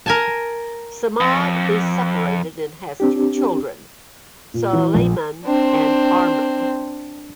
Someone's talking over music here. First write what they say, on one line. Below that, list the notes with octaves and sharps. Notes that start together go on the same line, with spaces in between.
Samad is separated and has two children, Soleiman and Arman.
A#4 G#5 A5
F2
C4 D4 G4
A#2
E3
A#1
C4 D4